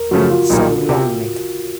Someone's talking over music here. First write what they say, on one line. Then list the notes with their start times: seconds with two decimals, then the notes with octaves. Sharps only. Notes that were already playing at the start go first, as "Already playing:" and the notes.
So Long, Mick!
Already playing: A#4
0.11 F#2 C#3 F3 A3 F#4
0.31 F4
0.50 B1 A#2 G3 A#3 D#4
0.89 C3